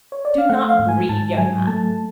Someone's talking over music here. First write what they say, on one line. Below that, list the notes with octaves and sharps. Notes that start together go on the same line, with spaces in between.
'Do not grieve, young man!
C#5
D5
F5
A3 F#5
F5
G#2
G#5
G#2 A5
F#3 G#5
A3 A5